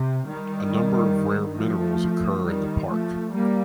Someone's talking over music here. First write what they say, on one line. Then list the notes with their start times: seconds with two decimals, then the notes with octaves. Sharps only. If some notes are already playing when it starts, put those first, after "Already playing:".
A number of rare minerals occur in the park.
Already playing: C3
0.25 D#3 G3
1.56 F3 A3
2.44 D#3 G3
2.88 F3 A3
3.32 G3 A#3